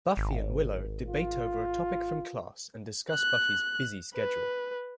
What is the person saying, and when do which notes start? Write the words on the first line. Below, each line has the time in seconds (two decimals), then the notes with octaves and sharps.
Buffy and Willow debate over a topic from class and discuss Buffy's busy schedule.
0.17 G#1
1.08 F4
3.11 F#6
4.15 B4